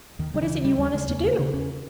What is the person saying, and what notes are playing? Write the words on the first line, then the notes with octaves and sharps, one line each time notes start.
"What is it you want us to do?"
D#2 D#3
C#3 G3
E3
C#3
D#2 G3
D#2 G3
C#3 G#3
E2 A#3
C#3
C#3
E2 C#4